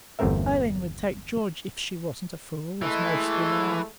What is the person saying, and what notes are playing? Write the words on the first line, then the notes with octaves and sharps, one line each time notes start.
Aileen would take George if she wasn't a fool, as most women are.
G1 E2 A3 C4 A#4 E5
E3 G#3 A3